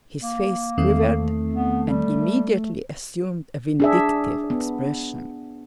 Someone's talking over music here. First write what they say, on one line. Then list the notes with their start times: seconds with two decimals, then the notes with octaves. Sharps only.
His face quivered and immediately assumed a vindictive expression.
0.22 A#3
0.78 E2 D#3 A3 C4
1.54 B3
1.87 G3
3.80 D4 G#4 E5
4.50 B3